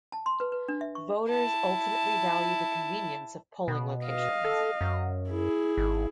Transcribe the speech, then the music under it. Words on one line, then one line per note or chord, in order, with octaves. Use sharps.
Voters ultimately value the convenience of polling locations.
A5
C6
B4
B4
D4
E5
C#6
E4 A5
B2
D#5 F5
A4
F#2
E4 G#4
G#1